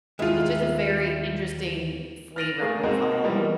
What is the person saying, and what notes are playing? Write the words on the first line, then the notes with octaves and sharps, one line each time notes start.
it's just a very interesting flavor profile,
D#2 G#3 E4 F4
F6 A6 A#6 D7 D#7 F7
A3 G#4 A#4 F5
G#3 A#3 C4 D#4 F#4 C5
E3 F3 G3 G#3 A#3 B3